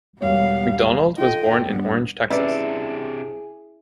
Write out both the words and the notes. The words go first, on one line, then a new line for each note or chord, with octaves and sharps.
McDonald was born in Orange, Texas.
E1 G3 B3 C#5 F5
F4 A4 D#5 G5
G2 B3 D4
C3 C#4 D4 E4 G#4 B4 D5